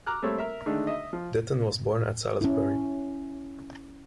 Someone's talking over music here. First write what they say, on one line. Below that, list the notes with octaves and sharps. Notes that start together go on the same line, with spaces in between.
Ditton was born at Salisbury.
A#5 D6 F6 F#6
G3 A3 A#3 C4 A4 C#5
A#4 E5
D3 D#3 G#3 A3 D4 D#4
D#5 E5
F3
C#4 E4